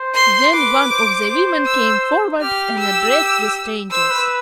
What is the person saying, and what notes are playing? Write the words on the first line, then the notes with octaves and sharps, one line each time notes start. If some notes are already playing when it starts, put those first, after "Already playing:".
Then one of the women came forward and addressed the strangers.
Already playing: C5
C6
B4 D6
C5
C5
E6
G4 F6
E6
C5 E6
B4